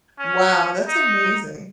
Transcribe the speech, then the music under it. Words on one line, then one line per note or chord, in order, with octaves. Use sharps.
wow, that's amazing!
C#4
D#4